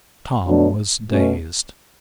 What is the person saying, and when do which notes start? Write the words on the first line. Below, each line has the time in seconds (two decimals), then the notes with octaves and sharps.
Tom was dazed.
0.45 B2 F#3 A3 D4
1.09 B2 A3 C#4